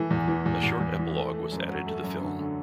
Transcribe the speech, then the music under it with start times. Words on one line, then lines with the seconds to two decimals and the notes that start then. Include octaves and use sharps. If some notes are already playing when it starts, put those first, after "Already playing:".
A short epilogue was added to the film.
Already playing: E3 A3
0.10 E2
0.28 E3
0.46 E2
0.63 E2
0.80 E2
0.99 E3
1.16 A3
1.34 A3
1.51 F#2
1.69 F#3
1.86 A3
2.03 F#2
2.21 D3
2.39 D3